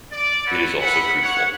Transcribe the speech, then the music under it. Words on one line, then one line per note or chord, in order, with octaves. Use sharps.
It is also truthful.
D5
A4 B4 C#5 D5 E5 F#5
E5 F#5 B5
C#5 F#5